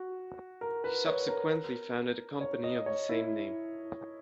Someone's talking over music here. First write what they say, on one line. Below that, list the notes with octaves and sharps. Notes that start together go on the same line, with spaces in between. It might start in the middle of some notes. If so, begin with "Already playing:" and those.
He subsequently founded a company of the same name.
Already playing: F#4
A#4
B4
C#5
A#4
C#5
D#5
C#5
E4